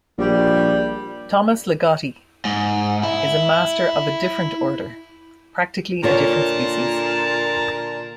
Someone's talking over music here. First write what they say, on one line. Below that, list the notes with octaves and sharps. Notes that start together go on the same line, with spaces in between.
Thomas Ligotti is a master of a different order, practically a different species.
A#1 G3
G#2
E4
A#2 D3 F4 C#5 A5 A#5